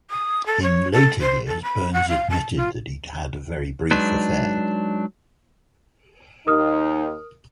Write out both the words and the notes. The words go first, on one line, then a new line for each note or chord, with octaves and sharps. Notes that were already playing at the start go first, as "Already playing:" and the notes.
In later years, Burns admitted that he had a very brief affair.
D#6
A4
C#5
A4
C5
A4
B5
F#5
F5
A5
F4
F#3 G#3 D4 D#4 B4
D#2 D#4 A#4 D#6 F6